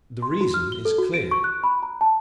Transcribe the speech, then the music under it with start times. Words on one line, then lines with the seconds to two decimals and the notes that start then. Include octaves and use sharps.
The reason is clear.
0.22 C6
0.41 F#4
0.54 F6
0.72 G7
0.85 A4
0.98 F#4
1.14 D7
1.31 C#6
1.44 F#6
1.63 B5
1.83 A#5
2.01 A5